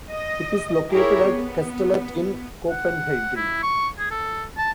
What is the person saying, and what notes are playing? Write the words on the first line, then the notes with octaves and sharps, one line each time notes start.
It is located at Kastellet in Copenhagen.
D#5
E4 G4 G#4 A#4 C#5
B3
F#5
E4
C#6
G#4
A4
A5